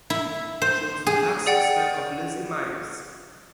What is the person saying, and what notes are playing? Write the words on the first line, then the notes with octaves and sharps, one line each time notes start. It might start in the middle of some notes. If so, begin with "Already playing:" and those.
She was the half-sister of Lizzie Miles.
E4
C5
G#4
G#4 D5 F#5 G5 A6